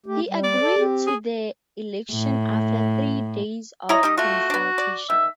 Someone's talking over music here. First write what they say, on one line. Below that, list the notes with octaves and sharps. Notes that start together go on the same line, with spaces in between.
He agreed to the election after three days of consultation.
A3 G4
G3
D5
A4
C4 G4
G#4
A2
E4 C#5 D#5 A#5
G3 D#4 G4
A3 F4 F#4
B3 D4
D5
D#3 E5